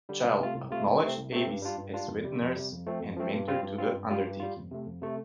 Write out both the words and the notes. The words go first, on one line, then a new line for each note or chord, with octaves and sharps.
Child acknowledged Avis as "wet nurse" and "mentor" to the undertaking.
D3 G3
C2
C3 A3 F4
C2
C3 A3 F4
C2
C3 A3 C4
C2
C3 A3 C4
G2
G3 D4 F4
G2
G3 D4 F4
F2
C3 G3
F2
C3 G3
F2
F3 A3 C4
F2
F3 A3 C4
G2
G3 C4 F4
G2
G3 C4 F4
G2
G3 F4
G2
G3 F4
F2
C3 A3
F2
C3 A3